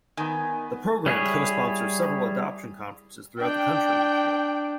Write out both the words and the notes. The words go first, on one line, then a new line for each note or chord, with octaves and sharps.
The program co-sponsors several adoption conferences throughout the country each year.
D#3 B3 G#5
G3 E4 G#4 C#5
D4 G5